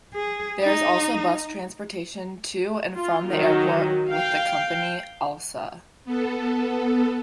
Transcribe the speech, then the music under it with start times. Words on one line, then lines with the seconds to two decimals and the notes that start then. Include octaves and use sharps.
There is also bus transportation to and from the airport with the company Alsa.
0.14 G#4
0.63 D#4
2.95 F4
3.29 D#3 F#3
4.10 F5 G5
6.05 B3 A4